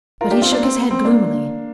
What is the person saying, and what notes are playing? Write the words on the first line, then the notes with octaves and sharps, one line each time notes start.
But he shook his head gloomily.
F4 A#4
D4 G4
C4 F4
A#3 D4
C4
A#3
C4
A#3 D4